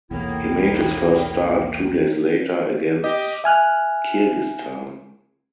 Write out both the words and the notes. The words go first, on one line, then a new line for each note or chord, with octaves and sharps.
He made his first start two days later against Kyrgyzstan.
B1 E2 A2 C3 A#3 B3 E4 G5
G4 D#5
E5 G#5 F6 F#6